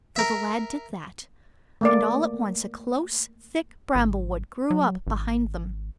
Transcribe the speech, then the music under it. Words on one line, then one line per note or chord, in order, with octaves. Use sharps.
So the lad did that, and all at once a close, thick bramblewood grew up behind them.
A#4 E5
A3 A#3 D5
G#1
F#3
G#1